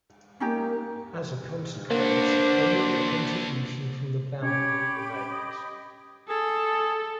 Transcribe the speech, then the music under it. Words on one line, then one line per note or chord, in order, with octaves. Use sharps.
As a consequence, only the contribution from the boundary remains.
A#3 C#4 D#4 G4
D3 A#3 D4 F#4 B4 C5
C#4 G4 C#5 B5 D6
D#5
G#4 A4